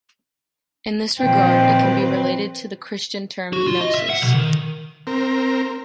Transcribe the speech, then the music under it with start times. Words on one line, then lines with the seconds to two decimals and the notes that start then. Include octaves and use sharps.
In this regard, it can be related to the christian term Gnosis.
1.20 A#2 D#3 F3 C4 B4 G5
3.53 F#4
3.67 F4
3.81 D#5
3.95 E5
4.10 F#5
4.22 B1
4.34 D#3
5.07 C4 A#4